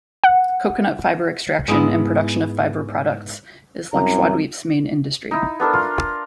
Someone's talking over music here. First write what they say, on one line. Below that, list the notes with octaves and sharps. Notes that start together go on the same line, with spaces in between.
Coconut fibre extraction and production of fibre products is Lakshadweep's main industry.
F#5
G#2 G#3 B3 E4
C2 F#2 A#5
D#4 E4
B3 D4 A4 A#4
F4